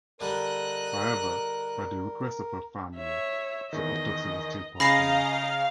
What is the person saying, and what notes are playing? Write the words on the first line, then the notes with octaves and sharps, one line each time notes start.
However, by the request of her family, the autopsy was still performed.
D3 G3 A#4 D#5 F#6
C#5 E5
E2 D#3 D#5
C#3 D#5 F5 G#5 A#5 B5 A#6 C7